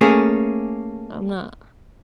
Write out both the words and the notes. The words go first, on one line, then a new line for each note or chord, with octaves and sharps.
I'm not
A3 A#3 C#4 G#4